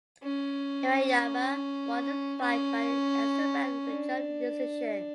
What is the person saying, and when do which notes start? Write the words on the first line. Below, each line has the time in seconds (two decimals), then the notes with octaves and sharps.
Hirayama won the fight by an extra round majority decision.
0.23 C#4
2.41 C#4
3.85 D4